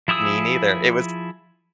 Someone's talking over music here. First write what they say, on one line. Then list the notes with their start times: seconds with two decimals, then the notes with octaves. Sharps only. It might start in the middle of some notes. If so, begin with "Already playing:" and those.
me neither, it was
0.08 F3 E4 G#4 D#6 E6